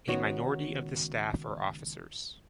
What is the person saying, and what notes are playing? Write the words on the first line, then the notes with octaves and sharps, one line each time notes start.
A minority of the staff are officers.
C#2 D#3 B3 C#4 F#4 C#5